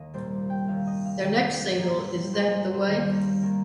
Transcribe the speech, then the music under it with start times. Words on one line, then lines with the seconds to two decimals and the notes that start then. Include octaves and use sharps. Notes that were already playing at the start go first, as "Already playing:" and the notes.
Their next single, Is That the Way?
Already playing: D#2 D#3 D#5
0.14 C2 A#2 G3 A#3 C5
0.50 G5
0.68 D#2 D#3 A#3 F5
0.87 D#5
1.06 F5
1.23 F2 D#3 A#3 G5
1.78 G2 F3 A#3 A#4
2.33 G2 G3 A#3 C5
2.47 C5
2.60 A#4
2.74 C5
2.88 D#2 D#3 G3 A#3 G4
3.43 D#3 A#3 A#4